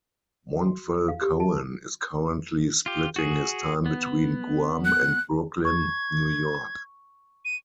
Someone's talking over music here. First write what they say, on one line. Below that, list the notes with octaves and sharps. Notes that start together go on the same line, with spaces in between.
Montvel-Cohen is currently splitting his time between Guam and Brooklyn, New York.
F#4
F5
G4
A5
F4 G4
F#4 G#4
B3
F#6
C#6 G#6
D#7